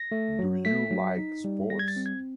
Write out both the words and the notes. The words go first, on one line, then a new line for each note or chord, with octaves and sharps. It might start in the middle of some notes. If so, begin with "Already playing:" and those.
Do you like sports?
Already playing: A#6
A3
F#3
A3 B6
F#3
D#4
G3
G3 A#6
G#6
A6
C4
G#6